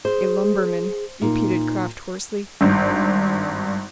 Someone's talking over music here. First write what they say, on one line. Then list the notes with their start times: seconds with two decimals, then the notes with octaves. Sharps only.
"A lumberman," repeated Kraft, hoarsely.
0.05 G#4 C5
1.22 A#2 D#4
2.61 G#1 G2